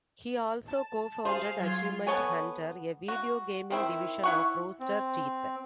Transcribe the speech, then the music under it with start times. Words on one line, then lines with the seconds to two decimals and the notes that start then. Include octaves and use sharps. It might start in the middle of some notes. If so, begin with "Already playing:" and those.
He also co-founded Achievement Hunter, a video gaming division of Rooster Teeth.
0.68 A5
1.25 G#4 C5 F5
1.57 F#3 F4 G#6
2.07 B3 A4 C#5 G#5
3.08 F#4
3.70 D#3 C4 E4
4.23 E4 F#5 C#6
4.80 C4